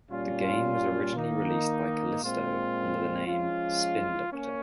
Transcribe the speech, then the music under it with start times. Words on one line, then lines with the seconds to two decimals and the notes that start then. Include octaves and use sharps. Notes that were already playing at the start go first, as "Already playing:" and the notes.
The game was originally released by Callisto under the name "Spin Doctor".
0.10 A#2 G3 C#4 F4
1.16 D#3 A#3 D#4
2.21 A#2 G#3 C4 F4
3.26 F3 G#3 C#4 F4
4.31 A#3 C#4